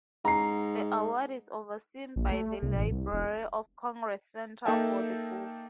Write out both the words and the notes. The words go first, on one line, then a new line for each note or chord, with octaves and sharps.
The award is overseen by the Library of Congress Center for the Book.
G#2 A#5 C7
A#1
A3
C2
A1
C2
E1
A#3 D#4 A4 E5 G5 A5